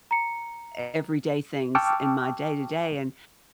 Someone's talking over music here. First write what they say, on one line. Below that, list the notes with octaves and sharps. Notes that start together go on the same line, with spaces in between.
everyday things in my day-to-day, and
A#5 C#7
G5 A5 C#6 D6 E6 F6